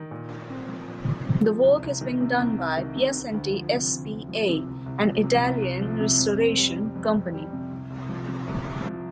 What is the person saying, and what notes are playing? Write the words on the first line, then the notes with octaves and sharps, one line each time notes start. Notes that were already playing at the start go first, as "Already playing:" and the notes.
The work is being done by Piacenti S.p.A., an Italian restoration company.
Already playing: D#3
A#2
D#4
C4
F3
A#2
D#4
C4
F3
C2
C2
D#3
C3
C2
C2
D#3
C3
D2
D2
F3
C3
D2
D2
F3
C3
C2
C2
F3
C3
C2
C2
F3
C3
F2
C4
G3
C3
F2
C4
G3
C3
C2
C2
F3
C3
C2
C2
F3